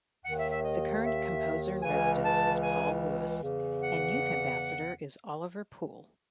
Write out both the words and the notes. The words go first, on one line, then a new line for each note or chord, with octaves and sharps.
The current composer in residence is Paul Lewis and youth ambassador is Oliver Poole.
D#2 D#3 F#5
E5
E5
D#5
E5
C#2 C#3 E3 G#5
A5
G#5
E2 C#3 E3
F#5